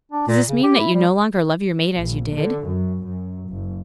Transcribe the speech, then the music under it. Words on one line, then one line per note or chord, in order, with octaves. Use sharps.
Does this mean that you no longer love your mate as you did?
D4
A#2
C#3
G4
E4
G3
A#1
D3
F#2
F#2
F#1